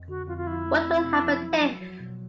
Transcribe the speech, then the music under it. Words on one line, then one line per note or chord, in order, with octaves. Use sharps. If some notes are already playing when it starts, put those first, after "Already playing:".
What would happen if...?
Already playing: F2
D3 F#4
F2 F4
F4
F3 E4
A3
C4
C3
F3
F#3
F#3
F#3
B2